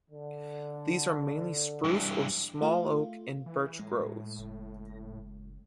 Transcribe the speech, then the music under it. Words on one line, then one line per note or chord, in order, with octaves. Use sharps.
These are mainly spruce or small oak and birch groves.
D3
G2 E3
A3 F4
E3
A2 G#3
F#1